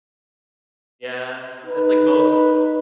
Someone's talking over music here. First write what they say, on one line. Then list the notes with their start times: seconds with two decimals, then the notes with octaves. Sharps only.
Yeah, that's like most
1.66 D#4 B4